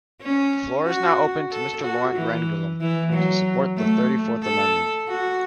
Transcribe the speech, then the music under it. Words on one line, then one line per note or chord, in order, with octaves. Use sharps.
The floor is now open to Mr. Laurent Grandguillaume, to support the thirty-fourth amendment.
C#4
F#4
A4
F#4
E3
E3
F#3
A3
A4
F#4